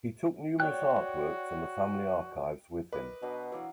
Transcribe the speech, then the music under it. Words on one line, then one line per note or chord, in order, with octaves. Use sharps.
He took numerous art works and the family archives with him.
F#4 C#5 D5 G5 F#6
A#4 B4 D5 D#5
B2 F#3 D4 D#5
E3 F#3 D5 F5